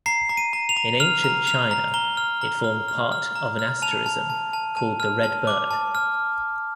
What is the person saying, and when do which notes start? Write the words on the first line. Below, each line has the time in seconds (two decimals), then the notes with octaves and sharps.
In ancient China it formed part of an asterism called the "red bird".
0.06 A#5 C7
0.29 A#5
0.37 D#7
0.53 A#5
0.69 F7
0.77 A#5
1.00 F6 F7
1.24 A#5
1.47 F6 F7
1.71 A#5
1.94 A#5 G7
2.17 F6
2.41 A#5
2.64 F6
2.88 F6
3.12 F6
3.36 A#5
3.59 F6
3.82 A5 F7
4.06 A5
4.30 A5
4.53 A5
4.77 A5
5.00 F6
5.24 A5
5.47 D6
5.71 A5
5.95 F6